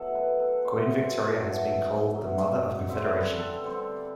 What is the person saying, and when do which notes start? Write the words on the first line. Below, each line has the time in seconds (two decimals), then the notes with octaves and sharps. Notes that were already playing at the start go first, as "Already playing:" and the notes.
Queen Victoria has been called the Mother of Confederation.
Already playing: F#3 B3 E4 A4
0.15 B4
0.40 A4
0.65 F#3 B3 E4 C5
1.39 F#3 B3 E4
2.15 F#3 B3 E4
2.89 D3 G3 C4 E5
3.13 B4
3.39 A4
3.63 D3 G3 C4